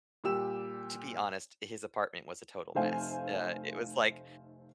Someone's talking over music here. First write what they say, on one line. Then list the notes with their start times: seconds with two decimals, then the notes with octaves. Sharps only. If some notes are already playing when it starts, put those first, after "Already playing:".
to be honest, his apartment was a total mess. Uh, it was like
0.24 A#2 G3 G4 E6 E7
2.75 F1 A3 D#4 C5 F5 G#5